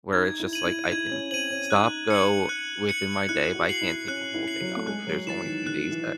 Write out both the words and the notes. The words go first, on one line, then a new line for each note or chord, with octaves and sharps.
where it's just like I can stop-go within my day, but I can't take a whole day off. There's only a few days that
D#4 G#6
E4
D#7 F#7
E4
E4 G#6
C#4
C4 D#7 F#7
C#4
D#4 F#6
C#7 F#7
F#6
C#7 F#7
E4 F#6
F#4
C7 F#7
E4
C#4 F#6
E4
C7 F#7
F#3
A3
G#3 F#6
F#3
E3 A6 C7 E7
D#3
D#3 F#6
E3